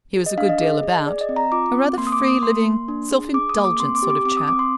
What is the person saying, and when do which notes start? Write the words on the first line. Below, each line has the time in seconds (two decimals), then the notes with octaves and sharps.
He was a good deal about--a rather free-living, self-indulgent sort of chap.
0.16 G#4
0.26 D#5
0.38 D4 F5
0.49 D#5
0.61 G#4
0.83 G#4
1.06 G#4 D5
1.21 D#5
1.29 C4
1.36 A#5
1.52 F4 D6
1.75 C4
1.97 A#3 C6
2.07 D#6
2.12 D6
2.20 A#3
2.28 D#6
2.43 A#3 C6
2.65 A#3
2.88 D4
3.11 G#4
3.34 G#4 D6
3.49 D#6
3.57 A#3
3.65 D6
3.80 C4 C6
3.95 D6
4.03 G4
4.10 D6
4.25 C4 D6
4.37 D#6
4.48 C4 D6
4.59 C6